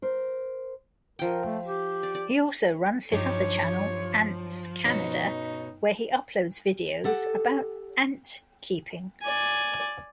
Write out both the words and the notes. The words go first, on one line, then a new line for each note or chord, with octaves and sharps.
He also runs his other channel, AntsCanada, where he uploads videos about antkeeping.
A#4 C5
F3 A#4 G5
A3
G4
D5
D5
G2 F3 F#3 D#4 G4 C#5 D#7
B2 C#4 D#4 F#4
G4 A4 F#5
D5 G#5